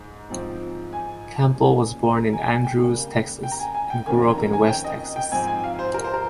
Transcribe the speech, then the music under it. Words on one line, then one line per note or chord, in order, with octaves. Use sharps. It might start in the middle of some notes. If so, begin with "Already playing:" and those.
Campbell was born in Andrews, Texas and grew up in west Texas.
Already playing: G#2
G#2 F3 C4
G#5
A#2 G#3 C#4
A#5
G#5
G#5
G5
C#3 G3 A#3
G5
A#5
G#5
G#5
G5
F2 D#3 A#3 C#4 G#5
A#5
A#5
G#5
G5
D#5
G5
G#2 F3 C4 G#5
G#5
F5
C5
A#4
C5
A#4